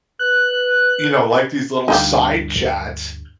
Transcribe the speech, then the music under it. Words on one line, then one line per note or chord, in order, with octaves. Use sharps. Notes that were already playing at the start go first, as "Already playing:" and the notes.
you know, like these little side chats
B4 F#6
D2 G2 D#4 F4 G4